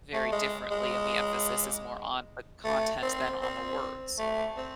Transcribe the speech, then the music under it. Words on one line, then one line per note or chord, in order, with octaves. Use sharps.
very differently, and the emphasis is more on the content than on the words,
A3
G#3
G#3
A3
C4
C4
A3
C4